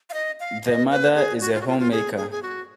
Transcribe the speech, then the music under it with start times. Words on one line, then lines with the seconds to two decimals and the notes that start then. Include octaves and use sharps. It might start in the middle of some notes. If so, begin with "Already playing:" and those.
The mother is a homemaker.
0.10 F5
0.14 D#5
0.40 F5
0.65 D#5
0.91 B4
1.15 G#4
1.41 F#4
1.54 F4
1.61 F#4
1.67 F4
1.79 F4
1.92 G#4
2.17 G#4
2.31 G#4
2.43 F#4